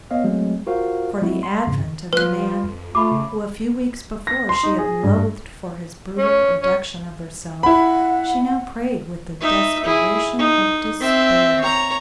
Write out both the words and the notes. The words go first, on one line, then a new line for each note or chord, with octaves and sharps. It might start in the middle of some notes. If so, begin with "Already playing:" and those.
For the advent of the man who a few weeks before she had loathed for his brutal abduction of herself she now prayed with the desperation of despair.
B3 C#5 D#5 F5
F#3 G#3 A3 C4
F4 F#4 A#4 C5 F5
F#3 G#3 C4 E4 F#4
C6
F2 G#2 C#3
F3 F4 B4 F#6
F2
A3 F4 B5 D6
C#3
A#6
C6
D#4
G#4
G2
C#4
C#4
E4 F#5 B5
D#4 E5
E4 G#4
D#4
C4 E5
C#5 A#5